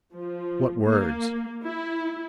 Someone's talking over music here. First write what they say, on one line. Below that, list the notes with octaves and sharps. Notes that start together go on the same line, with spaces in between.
"What words?"
F3
A#3
E4